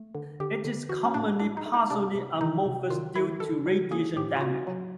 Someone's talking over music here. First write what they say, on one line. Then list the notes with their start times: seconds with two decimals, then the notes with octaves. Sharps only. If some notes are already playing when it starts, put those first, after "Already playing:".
It is commonly partially amorphous due to radiation damage.
Already playing: A3
0.15 D3
0.40 D3 G4
0.64 D3
0.89 E3 F#4
1.05 C#4
1.14 A2 D4
1.40 A2 D4
1.57 D#4
1.66 A3
1.74 D#4
1.90 C3 D4
2.16 C3
2.41 D#3 D#4
2.66 C3
2.90 D#3 F4
3.16 D#3 E4
3.40 D#3 A4
3.66 G3
3.91 A#3 G#4
4.16 A2 G4
4.37 F4
4.41 A#3 F#4
4.67 F#3